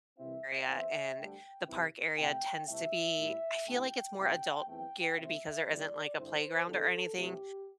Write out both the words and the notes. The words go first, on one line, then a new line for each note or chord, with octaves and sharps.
area, and the park area tends to be I feel like it's more adult-geared because there isn't, like, a playground or anything,
C2 C3 E3 C4 E4 E5
E2 E3 C4 E5
D2 D3 G3 G5
C2 C3 E3 C4 E4
C3 A3 E4 G5
C2 C3 A3 E4 E5
A2 G3 E4
D2 C3 A3 C4 E4 G5
C2 C3 A3 E4 G5
E2 E3 A3 C4 E4 G5
C3 A3 C4 E4 E5
E2 E3 G3 E4 D5
G2 D3 C4 E4 C5
E2 D3 G3 D4 A4
C2 C3 E3 A3 C4 G4